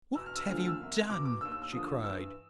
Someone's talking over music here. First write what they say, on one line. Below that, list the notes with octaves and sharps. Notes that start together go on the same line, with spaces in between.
'What have you done?' she cried.
E2 B2 E6
F6
E6
D2 D3 F3 F6
F6
E6
C2 C3 D#3
E2 B2 D6
D6
D#2 D#3 E6
E6
E6
D#2 D3 F3 D#6
G2 E3 E6